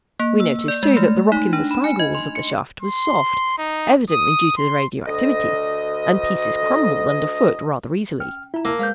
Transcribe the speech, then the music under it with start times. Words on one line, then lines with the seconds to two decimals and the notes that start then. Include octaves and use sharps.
We noticed too that the rock in the side walls of the shaft was soft, evidently due to the radioactivity, and pieces crumbled under foot rather easily.
0.20 A#3
0.40 E6
0.68 D5
0.83 G#3
0.97 A3
1.32 D#4
1.53 D4
1.71 B5
1.84 G#5
2.00 D#5
2.15 C6
2.35 C#7
2.82 C6
3.58 D#4
4.10 D#6
4.57 C6
5.07 D2 D#5
8.20 C#4 G5 F6
8.54 E4 F4 A#5
8.65 A#3 A#4 A5
8.79 G#3 B4 C5 F5 G6